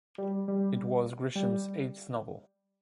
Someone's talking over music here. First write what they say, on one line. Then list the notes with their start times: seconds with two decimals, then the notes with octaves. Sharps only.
It was Grisham's eighth novel.
0.18 G3
0.48 G3
1.35 G3